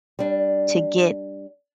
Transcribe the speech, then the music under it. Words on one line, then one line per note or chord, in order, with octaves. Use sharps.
to get,
G3 D4